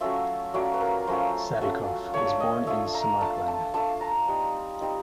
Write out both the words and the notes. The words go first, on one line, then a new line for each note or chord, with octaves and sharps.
Sadikov was born in Samarkand.
F#3 A3 C#4 F4 E5
F#3 A3 C#4 F4 D5
B4
A#4
F#3 A3 C#4 F4 C5
F#3 A3 C#4 F4
A3 D4 F4 C#5
D#5
A3 D4 F4 E5
A#5
A3 D4 F4 A5
A5
A3 D4 F4 A5
A#5
G3 C4 D#4
G3 C4 D#4